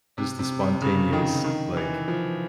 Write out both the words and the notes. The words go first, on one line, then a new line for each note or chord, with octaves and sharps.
Just the spontaneous, like
C3
C3
C3
C#3
D#3
D#3
E3
F3